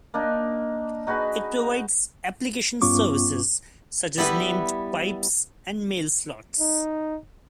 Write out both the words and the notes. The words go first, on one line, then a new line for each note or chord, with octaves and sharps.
It provides application services such as named pipes and MailSlots.
A#3 D4 D#4
D#4 F#4 G#4 B4
G2 B3 C#4 F4 C#6 D6
G3 B3 E4 B4
D#4